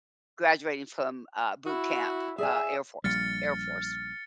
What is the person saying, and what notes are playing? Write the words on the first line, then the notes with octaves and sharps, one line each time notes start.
graduating from, uh, boot camp, uh, Air Force Air Force
E4 F#4
G#4 D5 E5 G#5
A#1 G3 F6 A6 C#7